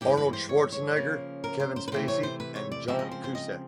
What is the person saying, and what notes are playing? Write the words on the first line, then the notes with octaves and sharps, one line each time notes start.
Arnold Schwarzenegger, Kevin Spacey, and John Cusack.
G2 E3 G#3 G4
B4
C5
C#5
C#5
C#3 F3 A#3 C#4
A#4
C5
C5
B4
C3 E3 A3 C4 C5
C#5
C5
B4
C#5
D5
C#3 F3 G#3 C4 E5
D#5
C5
C5
D#5